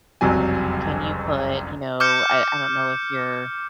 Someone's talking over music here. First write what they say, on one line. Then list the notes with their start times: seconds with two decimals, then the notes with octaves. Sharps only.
"Can you put, you know" I I don't know if you're,
0.21 F#1 C2 F2 F#3 G#5
2.00 D6 F6 G6 C#7